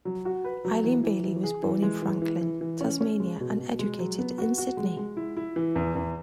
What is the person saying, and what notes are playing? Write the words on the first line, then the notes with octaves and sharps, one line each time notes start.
Irene Bailey was born in Franklin, Tasmania, and educated in Sydney.
F#3
F#4
B4
F#3
E3
E3
E3
G#4
E3
G#3
E3
E3
E3
E3
C#4
C#4
G#3
B2
B2
G#3
F#3
B3
F#4
F#4
G#3
G#3
E4
E4
E3
E2
E2